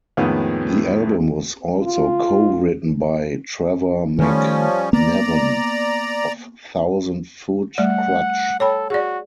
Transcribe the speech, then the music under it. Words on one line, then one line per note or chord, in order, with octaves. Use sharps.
The album was also co-written by Trevor McNevan of Thousand Foot Krutch.
F2 A2 D#3 G#3 B3 C#4
F4
D#3 F3 G3 A3 C#4
A#3 B3 D5 A#5
G3 A3 D5 F#5
A4 C#5 G5 B5
F#4 G#4 D5